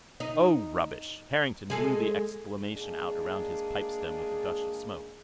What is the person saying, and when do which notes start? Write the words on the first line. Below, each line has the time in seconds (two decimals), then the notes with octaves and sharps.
"Oh, rubbish!" Harrington blew the exclamation out around his pipe-stem with a gush of smoke.
0.20 D#4
1.70 G#3 G#4 A4
2.71 G#3 A#3 D4 G#4